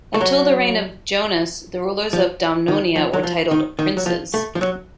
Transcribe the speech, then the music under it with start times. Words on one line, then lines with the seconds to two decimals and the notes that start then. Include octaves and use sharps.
Until the reign of Jonas, the rulers of Domnonia were titled princes.
0.14 A3
0.21 F#3
2.13 F3
2.68 D#3
2.96 F3
3.13 F#3
3.23 F3
3.51 D#3
3.79 D#3
3.97 F#3
4.06 F3
4.34 A3
4.55 F3
4.61 F#3